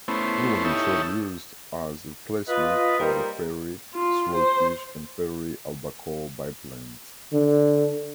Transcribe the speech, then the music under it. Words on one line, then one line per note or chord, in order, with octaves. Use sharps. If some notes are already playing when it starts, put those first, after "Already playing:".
It was introduced as a replacement for the Fairey Swordfish and Fairey Albacore biplanes.
A3 B3 C#4 E4 C5
D#4 E4 G4 A4 C#5 E5
F4 B4 D#5
G3 A#3 D#4 A#4 C5
F4
C5
D3